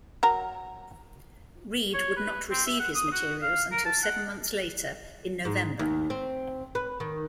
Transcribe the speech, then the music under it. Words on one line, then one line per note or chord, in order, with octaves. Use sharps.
Reed would not receive his materials until seven months later in November.
F#3 A#4 A#5
C#5
B4
C4
E5
F#5
D#6
F#4
F5
A#4
A5
F#5
G#2
D#2
C4
B4
D#3